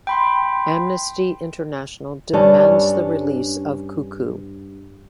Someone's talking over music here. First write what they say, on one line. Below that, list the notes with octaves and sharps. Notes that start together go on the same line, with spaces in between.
Amnesty International demands the release of Kuku.
G5 B5 C6
G2 C#4 D4